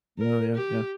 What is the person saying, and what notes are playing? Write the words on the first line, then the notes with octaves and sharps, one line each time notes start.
Oh, yeah. Yeah.
A#4
G4